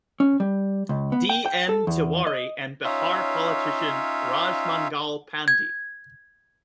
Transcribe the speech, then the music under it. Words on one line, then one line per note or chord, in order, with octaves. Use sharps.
D. N. Tiwari and Bihar politician Raj Mangal Pandey.
C#4
G3
C#2
B3
G5
G5
A4
E2
D#5
C#4 D#4 F4 C#5 E5 F5
G#6